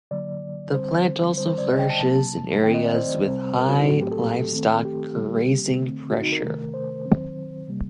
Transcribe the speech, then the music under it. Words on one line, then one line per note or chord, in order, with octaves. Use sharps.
The plant also flourishes in areas with high livestock grazing pressure.
D3 F#3 A#3 D5
D3 G3 C4 C5
D3 G3 C4 C5
C5
D5
D#5
G5
A5
C3 F#3 A#3 A5
D#3 A3 C4 G5
D#5
D5
C5
C3 G3 C4
A#4
F#4
D#4
A2 F#3 A3 C4 F#4
G4
A4
D#3 A3 C4
G4
D3 G3 A#3
D3 A3 C4
F#4
D#4
A#4
C3 D#3 A3
C5
D#3 F#3 C4
C3 G3 A#3